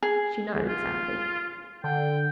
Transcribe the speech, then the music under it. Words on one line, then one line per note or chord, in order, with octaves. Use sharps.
She nodded sadly.
G#4
F4
D3 G5